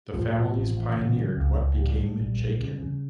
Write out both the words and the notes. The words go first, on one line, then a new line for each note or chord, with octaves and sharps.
These families pioneered what became Jakin.
A2 F3
A2
A1
A1
C#3
C#3
C#2
C#2
A2 G3
A2
A#1
A#1
C#3
C#3